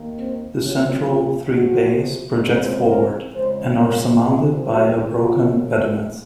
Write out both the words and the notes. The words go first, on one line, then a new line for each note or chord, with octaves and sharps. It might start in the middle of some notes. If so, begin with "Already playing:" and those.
The central three bays project forward and are surmounted by a broken pediment.
Already playing: D#2 D#3 A#3
C4
A#2 F#3 C4 C#4
F4
F2 C3 F3 F#4
F2 C#3 G#3 C4
A#4
F2 C#3 G#3 C5
A#4
C3 F3 C4 G#4
F#4
C3 F#3 A#3 F4